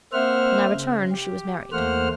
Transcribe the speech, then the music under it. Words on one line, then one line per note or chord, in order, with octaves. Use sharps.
When I returned she was married.
A#3 C4 C5 E5 F#5 F6
C#3
G4
E2 A3 A#3 C5 F#5 F6